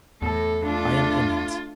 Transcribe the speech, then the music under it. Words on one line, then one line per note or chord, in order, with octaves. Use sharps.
I am in it.
E2 A2 A4
A3 D4 F4